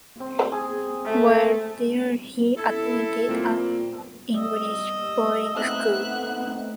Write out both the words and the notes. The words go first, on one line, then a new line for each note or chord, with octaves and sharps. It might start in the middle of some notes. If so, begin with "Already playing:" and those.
While there he attended an English boarding school.
C4
G#4
A3
E4 A4
A#2 A#3 C4
G3 D#5 E6
A3 B3 C4 D#4 E5 F#6